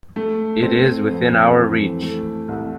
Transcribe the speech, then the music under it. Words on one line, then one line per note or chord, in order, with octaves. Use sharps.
It is within our reach.
A3
C4
F2
E3
A3
C2